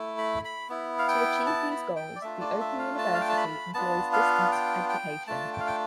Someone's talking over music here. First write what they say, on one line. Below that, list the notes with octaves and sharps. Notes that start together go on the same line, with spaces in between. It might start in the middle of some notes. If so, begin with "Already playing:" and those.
To achieve these goals, the Open University employs distance education.
Already playing: A3 E4
B5
B5
B3 E4
F5
G5
A5
B5
G5
D5
A3 D4 F4 E5
D5
E5
F5
A5
F5
G5
A5
B5
B3 D4 F4 A5
F5
G5
G5
A3 D4 F4 A5
G5
F5
G5